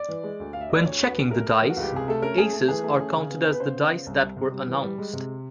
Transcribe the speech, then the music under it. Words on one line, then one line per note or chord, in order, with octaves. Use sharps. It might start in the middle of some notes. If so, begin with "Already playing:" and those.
When checking the dice, aces are counted as the dice that were announced.
Already playing: D5
E3
G#3
D2
D2 F5
E5
D2 D#5
D5
D2 C#5
D2
B4
D2
A3 A#4
A3
E3
F#4
C#2
G4
C3 G#4
A3 A4
C#4 A#4
A3 G#4
A3
E3 G#4
A3
C#4
C#3
B3
B3
B4
C#3 C5
B3
C#3
C2
G3
C3
G3
E3
G3
G#3
C3